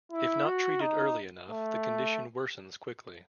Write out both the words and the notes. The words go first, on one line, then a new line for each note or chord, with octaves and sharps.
If not treated early enough, the condition worsens quickly.
E4
F#4
D#4
A3